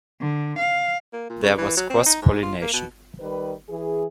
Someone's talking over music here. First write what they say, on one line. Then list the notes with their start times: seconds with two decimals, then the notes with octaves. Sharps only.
There was cross pollination.
0.20 D3
0.59 F5
1.13 A#3
1.29 A#2
1.42 C#3
1.58 E3
1.77 F#3
1.90 C4
2.06 D#4
2.22 G#2
2.42 F4
2.61 A#3
2.73 B2
3.20 D#3 G3 B4
3.69 E3 G#4